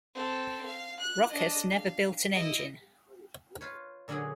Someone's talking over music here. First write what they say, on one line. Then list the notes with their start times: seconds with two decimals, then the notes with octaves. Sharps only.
Rochas never built an engine.
0.14 C4 A4
0.65 F5
0.99 F#6
1.30 D4 D#5
1.71 F5
2.34 E4 D#5
3.61 F4 B4 C#5
4.08 A#2 D3 F#3 C#4 F#4 G#4